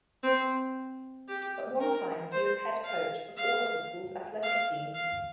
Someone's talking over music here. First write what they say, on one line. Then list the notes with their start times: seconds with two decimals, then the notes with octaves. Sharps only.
At one time, he was head coach of all of the school's athletic teams.
0.23 C4
1.28 G4
1.80 A#4
2.32 C5
2.84 F5
3.37 F5
4.43 F5
4.95 F5